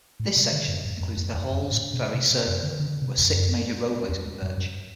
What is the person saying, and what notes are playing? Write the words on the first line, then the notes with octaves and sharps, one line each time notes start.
This section includes the Halls Ferry Circle, where six major roadways converge.
A2
B2
D3
G2
G2
F#2
F#2
E2
F#2
A2
B2
C3
B2
F#2
D3
D3
C3
E2
F#2
E2
G2
G2